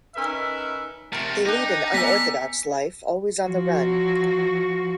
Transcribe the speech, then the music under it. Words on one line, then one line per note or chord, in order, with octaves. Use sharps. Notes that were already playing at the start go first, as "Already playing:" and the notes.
They lead an unorthodox life, always on the run.
C#4 D#4 A#4 B4 E5
C3 A3 A#4
D4 D#4 G4
B3 A4 G#5 A#5 D6 B6
F3 F#4